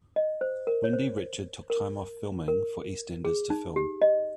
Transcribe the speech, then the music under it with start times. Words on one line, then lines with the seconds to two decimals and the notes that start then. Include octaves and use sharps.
Wendy Richard took time off filming for "EastEnders" to film.
0.16 D#5
0.41 C5
0.67 A#4
0.84 C#5
0.93 C5
1.70 A#4
2.48 A#4
3.25 G#4
3.50 D#4
3.76 G4
4.02 D#5